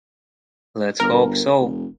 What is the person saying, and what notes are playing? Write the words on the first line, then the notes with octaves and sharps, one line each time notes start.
Let’s hope so.
G1 A#4
F1